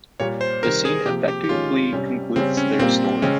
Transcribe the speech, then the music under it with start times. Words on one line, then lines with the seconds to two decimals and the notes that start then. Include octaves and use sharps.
The scene effectively concludes their story.
0.20 A#2 G3 A#3 C#5
0.41 C5
0.63 C3 D#3 G3 A#4
0.85 G#4
1.06 C3 F3 A#3 G4
1.28 G4
1.44 G4
1.49 D#3 G#3 C#4 F4
1.93 C3 G3 C#4
2.36 C#3 G3 C4 C#4
2.57 C#4
2.79 A#2 G3 A#3 C4
3.22 C#3 G#3 C4 C#4